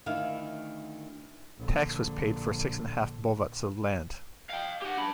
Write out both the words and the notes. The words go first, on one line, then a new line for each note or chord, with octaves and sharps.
Tax was paid for six and a half bovats of land.
D2 D#3 E4 F5
A#1 D3
F5 G5
G4 F#5
D4 B5